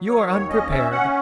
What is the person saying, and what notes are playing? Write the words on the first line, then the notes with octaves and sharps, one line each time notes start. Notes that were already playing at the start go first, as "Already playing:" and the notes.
You are unprepared.
Already playing: F#3
D#3 C#5
D#2 C#5
C#4 D#5
C#4 E5
C#4 F#5